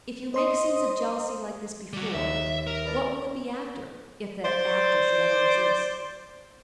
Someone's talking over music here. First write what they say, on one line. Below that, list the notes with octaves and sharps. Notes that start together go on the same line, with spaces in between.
If you make scenes of jealousy like this before, what will it be after, if that after should ever exist?
C5 D#5 C6 D#6
G3 F#4
D#2 D#5 E5 B6
A#4
B4 D5 A5
C5 D5